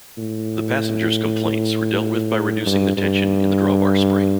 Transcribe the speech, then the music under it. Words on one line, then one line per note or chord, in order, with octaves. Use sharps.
The passengers' complaints were dealt with by reducing the tension in the drawbar spring.
A2
G2
G2